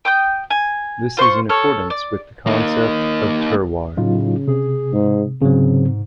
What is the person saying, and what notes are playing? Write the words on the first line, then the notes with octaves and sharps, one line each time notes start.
This is in accordance with the concept of "terroir".
G5 D#6 G6
G#5
F4 C5 C6 C#6
A4 C#5 F6
D5
A#3 D#4
A2 C#3 F#3 D#4 F4
C3 G#4
G#2
G#2 C#3 F#3 C4